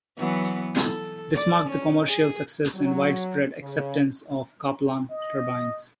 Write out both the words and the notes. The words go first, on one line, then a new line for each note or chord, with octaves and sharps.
This marked the commercial success and widespread acceptance of Kaplan turbines.
E3 F#3 B3
A4
D5
C#4
G#4
F#3
C#3
D#5